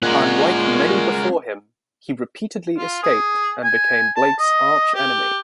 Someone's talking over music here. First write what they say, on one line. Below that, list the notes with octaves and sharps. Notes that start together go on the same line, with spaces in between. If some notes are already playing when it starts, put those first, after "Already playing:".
Unlike many before him, he repeatedly escaped and became Blake's arch-enemy.
A#2 G#3 C#4 A#4 F#5
F4
G#4
G#5
A5
D#5
G4